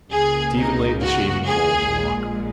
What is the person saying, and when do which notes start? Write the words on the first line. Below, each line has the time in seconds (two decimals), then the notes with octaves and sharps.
Stephen laid the shavingbowl on the locker.
0.10 C#2 C#3 A#3 G#4
0.56 D#4
1.02 F#4
1.46 G#4
1.92 A#1 A#2 G#3